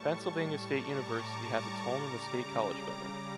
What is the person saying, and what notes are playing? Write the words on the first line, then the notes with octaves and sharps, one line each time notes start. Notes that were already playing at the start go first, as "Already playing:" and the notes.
Pennsylvania State University has its home in the State College Building.
Already playing: A2 G3 A5 C#6
A#5 D6
A5 C#6
A#5 D6
C#3 G3 A#5 D6